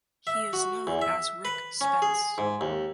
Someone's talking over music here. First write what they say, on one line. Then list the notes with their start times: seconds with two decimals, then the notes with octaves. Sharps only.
He is known as Rick Spence.
0.27 E5
0.53 F#4
0.87 E2
1.02 E5
1.45 B4
1.81 C#4
2.02 G#4
2.38 G#2
2.61 D#2